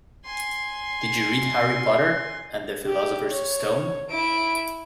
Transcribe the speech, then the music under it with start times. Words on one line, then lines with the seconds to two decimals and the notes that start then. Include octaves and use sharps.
Did you read Harry Potter and the Philosopher's Stone?
0.25 G#5 C6
2.87 G4
3.30 C#5
4.10 E4 D7